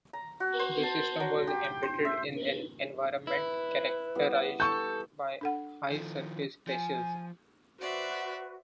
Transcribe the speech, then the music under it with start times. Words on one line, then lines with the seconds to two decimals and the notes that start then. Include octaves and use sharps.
The system was embedded in an environment characterized by high surface pressures.
0.13 A#5
0.40 F#4
0.59 C5
0.83 A5
1.20 F#3
1.47 G4
1.64 G5
1.83 C5
2.05 E5
3.27 E4 B4
4.15 E3 G3 B3
4.60 A4 C#6 G6
5.41 D4 A4 F#5
5.91 D#3 F3 A4
6.67 F3 G#5
7.78 F#4 B4 C5 D5 E5